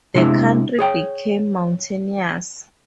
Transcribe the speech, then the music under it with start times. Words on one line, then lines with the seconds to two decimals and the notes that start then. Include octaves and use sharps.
The country became mountainous.
0.15 C3 G#3 D4 E4
0.79 G#4 C#5 G5